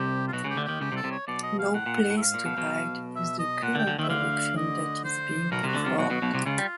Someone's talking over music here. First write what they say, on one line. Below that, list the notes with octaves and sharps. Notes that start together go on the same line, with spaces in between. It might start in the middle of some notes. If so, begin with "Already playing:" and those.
"No Place to Hide" is the current production that is being performed.
Already playing: C2 C3 G4
F4
B1 B2 F#4
C#2 C#3 G4
D2 D3
D#2 D#3 G4
C#2 C#3 G4
C2 C3
A4
C2 C3
C#5
B1 B2 D5
D#5
F5
A2 F#5
A#2
G#2
A2
E5
G#2 F5
A#2
B1 B2
B1 B2
E5
D#5
A#2 F#5
D2 D3
G5
D2 D3
D#2 D#3 E5
D2 D3 F5
D#5
C5
B1 B2 A#4
C2 C3 F#4
D2 D3
C2 C3 F4
B1 B2 F#4
B1 B2
B1 B2
C2 C3
C#2 C#3 F4
G3